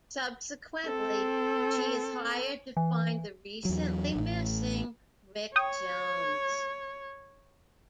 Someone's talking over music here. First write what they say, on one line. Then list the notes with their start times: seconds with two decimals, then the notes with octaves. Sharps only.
Subsequently she is hired to find the recently missing Rick Jones.
0.86 C4 A4
2.77 E3
3.65 E2 F#3
4.16 A1 A2
5.56 C#5 G5 D#6